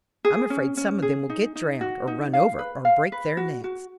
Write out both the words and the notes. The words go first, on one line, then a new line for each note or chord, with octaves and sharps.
I'm afraid some of them will get drowned, or run over, or break their necks.
G#4
C#4
C#4
G#4
D#4
D#4
F#4
D#4
F5
B4
F5
B4
F#4
F#4